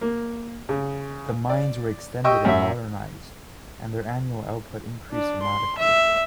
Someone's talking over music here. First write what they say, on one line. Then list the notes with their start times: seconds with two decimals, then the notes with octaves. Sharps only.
The mines were extended and modernized, and their annual output increased dramatically.
0.01 A#3
0.69 C#3
1.49 D5
2.24 G4 D#5 G5 C#6 E6
2.45 F#2 E5
5.11 D4
5.42 C6
5.78 E5